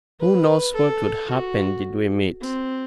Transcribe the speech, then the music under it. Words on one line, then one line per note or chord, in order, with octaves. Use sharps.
Who knows what would happen did we meet.
B4
A4
F#4
C4